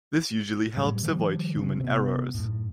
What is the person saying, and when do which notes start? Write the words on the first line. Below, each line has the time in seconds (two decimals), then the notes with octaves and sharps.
This usually helps avoid human errors.
0.77 A2 F#3 G3
1.03 D#3 F3 G3
1.57 C#3 B3 C4
1.80 C3 B3
2.34 F#2 A2